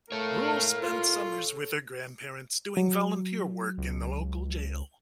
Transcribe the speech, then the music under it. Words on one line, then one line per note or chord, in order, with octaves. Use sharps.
Rule spent summers with her grandparents doing volunteer work in the local jail.
A3 A4 A#4 C#5 F5
F4
F#3
C#2